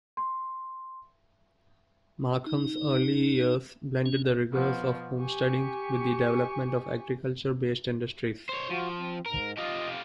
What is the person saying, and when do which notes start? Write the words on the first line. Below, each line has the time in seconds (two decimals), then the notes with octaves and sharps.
Markham's early years blended the rigours of homesteading with the development of agriculture-based industries.
0.17 C6
2.46 D#4
4.06 C#4
4.53 B2 F3 B3
5.19 G4 G#5 C#6
8.49 C5 C#5
8.70 F3 F4 F#4
8.99 C4
9.26 G#2 A#4
9.57 F4 G4 D#5